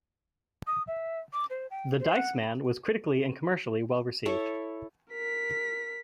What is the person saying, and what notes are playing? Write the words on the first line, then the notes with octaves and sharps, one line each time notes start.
"The Dice Man" was critically and commercially well received.
D#6
E5
D6
C5
G5
C5
F#5
B5
E4 A4 C#5
A#4 B6